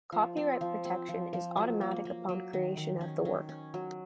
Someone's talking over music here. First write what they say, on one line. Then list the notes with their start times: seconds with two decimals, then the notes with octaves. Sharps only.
Copyright protection is automatic upon creation of the work.
0.12 F3
0.37 C4
0.61 F3
0.85 C4
1.09 F3
1.33 F3
1.57 F#3
1.81 A#3
2.05 A#3
2.29 F#3
2.53 D#3
2.77 D#3
3.01 C#4
3.25 D#3
3.49 C#4
3.74 F#3